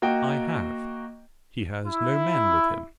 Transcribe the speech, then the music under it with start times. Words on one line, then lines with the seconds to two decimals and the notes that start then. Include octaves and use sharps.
I have. He has no men with him.
0.02 A#3 F#4 D#5 G5
1.86 E4